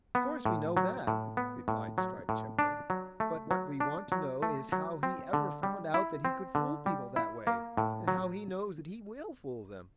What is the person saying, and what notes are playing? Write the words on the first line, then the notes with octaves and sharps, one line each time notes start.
"Of course we know that," replied Striped Chipmunk, "but what we want to know is how he ever found out that he could fool people that way, and how he knows that he will fool them."
B3
A2
F#3
A2
B3
A2
F#3
A2
D4
F#3
A3
F#3
D4
F#3
A3
F#3
C4
D3
G3
E4
C4
D3
G3
E4
A#3
A2
F#3